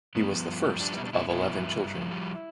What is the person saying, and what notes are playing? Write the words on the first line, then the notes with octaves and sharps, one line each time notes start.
He was the first of eleven children.
G2 B3
F3
G2
F3
G3 D4
B2 E4
D4
B2 E4
B2 E4
F3
G2
G2
F3
G3